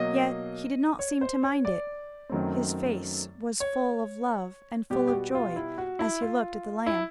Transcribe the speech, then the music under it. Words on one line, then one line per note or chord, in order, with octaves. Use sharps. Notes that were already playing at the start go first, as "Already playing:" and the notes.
Yet he did not seem to mind it; his face was full of love and full of joy as he looked at the lamb.
Already playing: B2 F#3 A#3 D#5
C#5
C5
C#5
D5
F#2 D#3 F#3 A3 C4
C#5
B2 G3 B3 G4
G4
F#4
F4
E4
F#4
E4
F4
E4